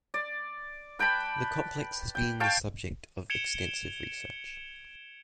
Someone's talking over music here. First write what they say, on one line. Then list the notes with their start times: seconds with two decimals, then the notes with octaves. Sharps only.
The complex has been the subject of extensive research.
0.14 D5
0.99 B4 G5 A5 B5
2.15 G5
2.40 F5 G5 A5 C#6
3.30 G#6 C#7 D7 E7 F7 G7